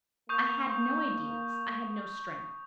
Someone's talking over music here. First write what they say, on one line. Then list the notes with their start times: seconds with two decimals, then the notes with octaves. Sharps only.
I had no ideas; I had no strength.
0.29 A#3 C#6 D#6 G6